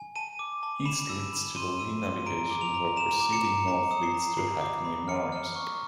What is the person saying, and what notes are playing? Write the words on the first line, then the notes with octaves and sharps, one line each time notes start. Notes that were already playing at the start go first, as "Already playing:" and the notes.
East leads to the Lee Navigation where proceeding north leads to Hackney Marshes.
Already playing: G#5
A5 D#7
D6
A5
B5 E7
E6
B5
C6 D#7
E6 D#7
C6 D#7
A#5 D7
D6
F7
A#5
A#5 E7
D6
C#7
A#5
A#5 C#7
D#6
C7
A#5
B5 C7
D6
B5
F6 C#7
F6
C#6